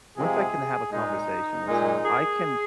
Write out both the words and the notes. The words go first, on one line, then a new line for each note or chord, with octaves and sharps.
once I can have a conversation with someone, I can
C3 F3 G#3 G#4
A#2 G#3 D#4
A#2 G#3
G#4